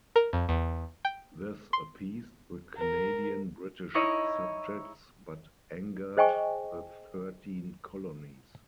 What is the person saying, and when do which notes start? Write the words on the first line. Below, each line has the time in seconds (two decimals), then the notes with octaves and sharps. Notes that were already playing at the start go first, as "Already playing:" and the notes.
This appeased the Canadien British subjects but angered the Thirteen Colonies.
0.16 A#4
0.33 F2
0.49 E2
1.05 G5
1.73 C6
2.77 A#4
3.94 D#4 E4 C#5 D#5
6.17 G#4 C5 D#5 G5 G#5 C#6